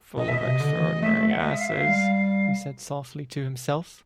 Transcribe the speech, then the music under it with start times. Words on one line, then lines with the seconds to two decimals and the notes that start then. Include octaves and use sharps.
"Full of extra-ordinary asses," he said softly to himself.
0.17 B2 D#5
0.28 B2 E5
0.38 D#5
0.46 C3
0.60 D3
0.74 E3
1.02 A3 E5
1.17 A3
1.30 G#3 F#5
1.40 D#5
1.50 E5
1.59 F5
1.68 E5
1.77 F5
1.87 G3
2.16 F5